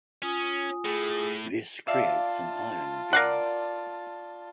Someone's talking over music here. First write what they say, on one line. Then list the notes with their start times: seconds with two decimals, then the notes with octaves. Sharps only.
This creates an ion beam.
0.22 C#4 F4 G#5 D#6
0.85 A2 G#4
1.87 F4 D5 E5 F5 A5
3.13 A#4 D5 F5 F#5